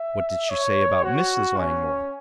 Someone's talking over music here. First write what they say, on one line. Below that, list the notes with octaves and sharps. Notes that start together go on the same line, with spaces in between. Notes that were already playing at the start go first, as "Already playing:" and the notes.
"What did she say about Mrs. Langmore?"
Already playing: E5
C#5
F#4
C#4